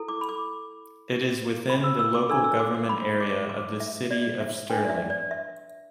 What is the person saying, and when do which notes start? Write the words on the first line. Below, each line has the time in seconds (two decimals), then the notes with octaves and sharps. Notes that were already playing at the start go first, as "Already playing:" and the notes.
It is within the local government area of the City of Stirling.
Already playing: E4 A4
0.08 D6
0.21 B5
0.29 D6
1.70 B5
1.84 E6
1.99 E6
2.15 D6
2.29 D4 A4 E6
2.44 E6
2.59 D6
2.74 D6
2.89 B5
3.20 D6
3.49 D6
3.80 E5
4.11 D5
4.40 E5
4.70 D4 B4 G5
4.85 D5
4.90 E5
5.10 D5
5.31 E5